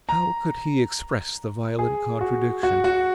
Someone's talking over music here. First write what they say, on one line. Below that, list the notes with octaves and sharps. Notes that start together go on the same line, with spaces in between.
How could he express the violent contradiction?
A#5
G#4
F#4
F#4
F#4